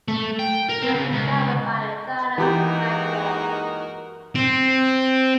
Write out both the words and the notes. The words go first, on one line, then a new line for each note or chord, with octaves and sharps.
It was discovered by Johannes Reinke.
A3
G5
A#4
C4
C#3
C#2
E3 G#3 A#3 D#4 F#4 G4 A#4 G6
C4